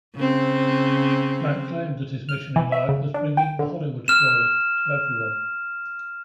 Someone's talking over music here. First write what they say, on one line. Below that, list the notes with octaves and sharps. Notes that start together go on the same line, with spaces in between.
Grant claimed that his mission in life was bringing the Hollywood story to everyone.
C#3 C4
F6
E3
E5
C#3
D4
G5
D3
F6 E7